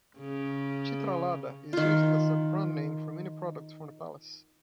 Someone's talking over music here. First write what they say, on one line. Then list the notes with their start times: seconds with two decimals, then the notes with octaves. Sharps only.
"Chitralada" is used as the brandname for many products from the palace.
0.19 C#3
1.73 D#3 F4